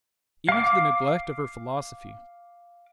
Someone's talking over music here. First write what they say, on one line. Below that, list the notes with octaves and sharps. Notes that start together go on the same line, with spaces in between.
Even to the neglect of her philosophy.
F5 D6